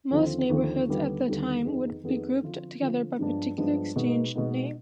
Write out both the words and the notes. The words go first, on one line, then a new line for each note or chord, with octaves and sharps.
Most neighborhoods at the time would be grouped together by a particular exchange name.
D#2 D3 F3 C4
D#2 D3 F3 C4
D#2 D3 G3 B3
D#2 D3 G3 B3
F2 D#3 B3 D#4 G#4
F2 D#3 B3 D#4 G#4
D3 F3 C4 F4
D3 F3 C4 F4
G2 F3 G#3 B3 D4
G2 F3 G#3 B3 D4
B2 G#3 B3 D#4
B2 G#3 B3 D#4